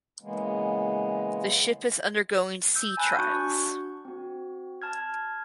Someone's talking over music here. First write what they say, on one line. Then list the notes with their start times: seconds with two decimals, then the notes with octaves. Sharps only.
The ship is undergoing sea trials.
0.21 C#3 E3 G#3 A#3 B3
2.75 E6 G6
2.97 G#5 A5 B5 F#6 G6
3.18 D4 F#4 C#6
4.05 C4 F#4
4.82 A5 F6 G#6